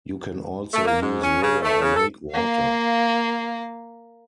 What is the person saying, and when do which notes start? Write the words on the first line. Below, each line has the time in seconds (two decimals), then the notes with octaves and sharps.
You can also use river or lake water.
0.74 A3
0.85 A#3
1.01 G#2
1.21 C#4
1.42 C#3
1.62 A3
1.82 C#3
1.96 A4
2.31 A#3 F5